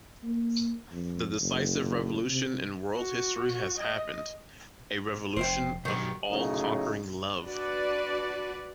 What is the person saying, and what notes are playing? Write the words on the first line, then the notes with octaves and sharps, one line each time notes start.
The decisive revolution in world history has happened - a revolution of all-conquering love.
A#3
F2
F#1
C3
F#4
D#5
F1 C5 E5 G5
G2 B2 D#3 F#3 F#4 G4
A2 C#3 F#3 D#4
D4 F#4 B4 D5